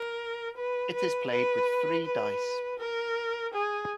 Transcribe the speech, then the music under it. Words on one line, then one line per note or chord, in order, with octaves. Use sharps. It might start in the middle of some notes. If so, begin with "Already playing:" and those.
It is played with three dice.
Already playing: A#4
B4
B4
B4
B4
A#4
G#4